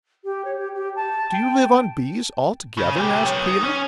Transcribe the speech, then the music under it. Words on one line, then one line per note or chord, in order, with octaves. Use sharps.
"Do you live on bees altogether?" asked Peter.
G4
C#5
G4
G4
A5
G5
C#3
A#2 G4
B3 C#5
D#4
C#4